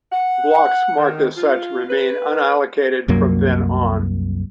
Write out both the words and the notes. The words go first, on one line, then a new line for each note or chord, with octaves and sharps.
Blocks marked as such remain unallocated from then on.
F#5
D#3
F4
B4
C2 F#2 F#3 A#3